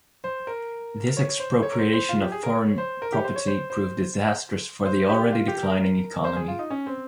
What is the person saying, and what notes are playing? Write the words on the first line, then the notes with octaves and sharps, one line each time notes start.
This expropriation of foreign property proved disastrous for the already declining economy.
C5
A#4
C#5
C5
C#5
A#4
C5
C5
F4
G4
G#4
A#4
C#5
C5
A#4
G4
C5
C#5
C5
C5
C5
G4
F4
G4
A#4
C5
G#4
F4
D#4
C#4
C4